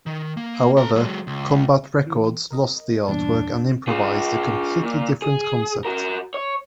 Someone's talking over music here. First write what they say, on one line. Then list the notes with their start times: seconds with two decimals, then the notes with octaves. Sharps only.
However, Combat Records lost the artwork and improvised a completely different concept.
0.06 D#3
0.37 A#3
0.77 A4 A#5
0.95 F#3 G#3
1.27 C#2
2.07 E3
2.51 A#4 D#5
3.08 E2 G2 A#2 D4
3.88 F4 G#4
4.83 A#2
5.22 G#4
5.85 F#4 A#4
6.34 C#5